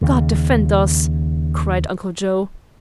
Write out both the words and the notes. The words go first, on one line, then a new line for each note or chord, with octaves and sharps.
"God defend us!" cried Uncle Joe.
D#2 C#3